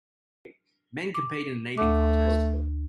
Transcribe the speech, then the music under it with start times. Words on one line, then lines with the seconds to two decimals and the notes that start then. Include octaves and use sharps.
Men compete in an eating contest.
1.14 D6
1.77 D2 A3 D6